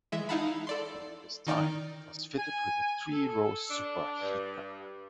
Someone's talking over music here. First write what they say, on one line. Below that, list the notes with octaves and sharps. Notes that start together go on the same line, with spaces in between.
During this time it was fitted with a three row superheater.
E3 G#3 E5 G#6
D#4 E4 F5 F#5 A5 B5
A4 D5 C6
D#3 D#4 D5 G5 F6
G#5
A4
D4
G2